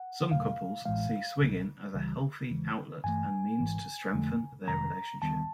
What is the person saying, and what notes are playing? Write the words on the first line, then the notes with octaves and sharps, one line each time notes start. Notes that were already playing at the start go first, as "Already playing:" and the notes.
Some couples see swinging as a healthy outlet and means to strengthen their relationship.
Already playing: F#5
E2 B2 F#3 A3 F5
A1 A2 E3 G#3 F5
C#2 B2 F#3
C#2 C#3 E3 G3
E2 C#3 E3 G#3
G2 E3 A3 G#5
G#1 G#2 E3 G#3
F2 D3 F3 A3
G1 F2 C3 D#3 G#3 A#5
D#2 D#3 G3 B3 A5